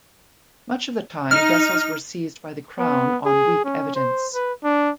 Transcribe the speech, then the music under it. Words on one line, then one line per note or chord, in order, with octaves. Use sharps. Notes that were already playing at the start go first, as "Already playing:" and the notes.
Much of the time vessels were seized by the Crown on weak evidence.
D#4 F6
B3
G#4
C#4
C5
B4
D4